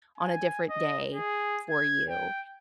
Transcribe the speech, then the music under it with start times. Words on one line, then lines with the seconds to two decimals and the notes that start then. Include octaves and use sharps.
on a different day for you."
0.18 G#5
0.70 D#5
1.14 G#4
1.70 G#6
2.10 G5